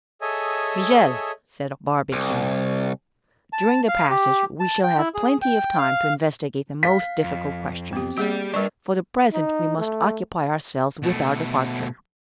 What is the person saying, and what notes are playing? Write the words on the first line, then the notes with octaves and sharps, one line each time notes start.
"Michel," said Barbicane, "during the passage we shall have plenty of time to investigate the most difficult questions. For the present we must occupy ourselves with our departure."
G#4 A4 C#5 D#5 E5 G#5
C2
A5
F5
G4
A5
G5
E4
G#4
G5
F5
F5 B6
F2
B3 C4 G4
G3 A#3 G4 G#4 D5
G3 D4 A#4 B4 D5 C#6
D#4
A3
B2 A3